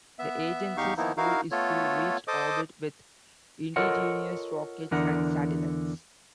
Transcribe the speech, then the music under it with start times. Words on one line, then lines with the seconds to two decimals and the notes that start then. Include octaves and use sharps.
The agency's goal is to reach orbit with indigenous rockets and satellites.
0.19 B3 E5
0.77 E2 D#4 G4 F5 C#6
0.97 D#3 F3 A#3 B3 D#4 E4
1.17 D#4 E4 F#4 A#4 F5
1.51 A3 B3 F4 A4 C#5
2.28 A4 C5 D#5 D6 D#6
3.76 F4 A4 A#4 C#5 D#5 F#5
4.91 E2 D3 E3 D4 A#4 F#5